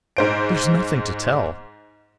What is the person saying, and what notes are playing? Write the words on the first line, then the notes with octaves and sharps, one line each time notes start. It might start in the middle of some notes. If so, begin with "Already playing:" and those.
"There's nothing to tell."
G#2 C5 D7